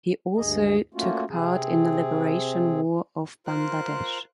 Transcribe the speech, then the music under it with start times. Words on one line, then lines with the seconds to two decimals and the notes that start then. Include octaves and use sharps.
He also took part in the Liberation War of Bangladesh.
0.37 D2 G2 G#4 D#5
0.94 A3 A#3 C#4 F4 F#4
1.30 C3 C4 G#4
3.47 F4 A#4 C5 F#6